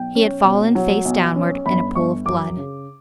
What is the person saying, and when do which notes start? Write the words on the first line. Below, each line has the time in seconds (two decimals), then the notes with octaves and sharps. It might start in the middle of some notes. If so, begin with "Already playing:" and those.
He had fallen face downward in a pool of blood.
Already playing: B1 G5
0.15 C#4
0.44 B2
0.75 F#3
1.05 B1
1.35 C#4
1.66 G1 B5
1.95 G1 C#6
2.26 F#2 D6
2.57 C#3